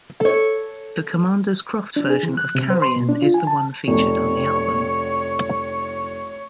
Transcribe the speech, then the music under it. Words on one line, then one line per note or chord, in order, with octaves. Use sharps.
The Commander's Croft version of "Carrion" is the one featured on the album.
A4 C#5
D4
G#4
E3
F#6
C3
C5
C6
B2
D4
F4
G#5
A5
F1 C#5